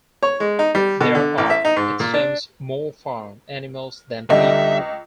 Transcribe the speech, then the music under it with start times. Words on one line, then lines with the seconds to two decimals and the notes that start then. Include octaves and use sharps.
There are, it seems, more farm animals than people.
0.23 C#5
0.40 G#3
0.59 D#4
0.75 G3
1.01 B2
1.15 D3
1.38 A1
1.50 E5
1.65 D#4
1.76 G#2
2.00 A#2
2.14 D4
4.30 C#2 D3 G3 D#5 E5